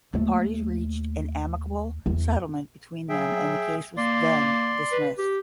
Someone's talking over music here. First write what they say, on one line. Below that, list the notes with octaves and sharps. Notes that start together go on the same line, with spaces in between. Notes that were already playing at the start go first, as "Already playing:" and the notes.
The parties reached an amicable settlement between them and the case was then dismissed.
D#2 A3
E2
F#3 G#4 E5 G5
A#3 D5 C6
B4
G4